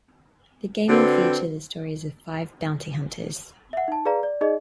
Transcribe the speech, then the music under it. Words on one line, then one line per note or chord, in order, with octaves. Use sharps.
The game will feature the stories of five bounty hunters.
D3 C4 F#4 B4
E5 F#5
D#4 A5
G#4 B4 D5 F5 A#5
D5
D#4 G#4 D5 D#5